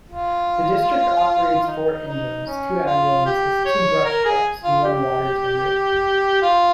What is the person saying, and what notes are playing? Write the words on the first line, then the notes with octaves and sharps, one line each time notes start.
The District operates four engines, two ambulances, two brush trucks, and one water tender.
F4
D#4
D#4
C#4
F4
G4
C#5
A#4
G#4
F4
G4
F4